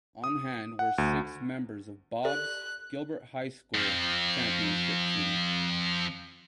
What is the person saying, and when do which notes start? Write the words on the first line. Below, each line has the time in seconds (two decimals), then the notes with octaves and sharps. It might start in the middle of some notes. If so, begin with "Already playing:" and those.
On hand were six members of Bob's Gilbert High School championship team.
0.24 D#6
0.79 F#5
0.98 D2
2.25 G4 A4 D5 F#6
3.74 F2 F3